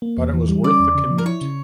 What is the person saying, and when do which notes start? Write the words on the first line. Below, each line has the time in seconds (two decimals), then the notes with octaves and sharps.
But it was worth the commute.
0.02 A#3
0.18 E2
0.33 E3
0.49 G3
0.64 C#4 D5
0.79 E2
0.95 C#3
1.10 F3
1.18 A#4
1.26 E4 C#5
1.41 C#3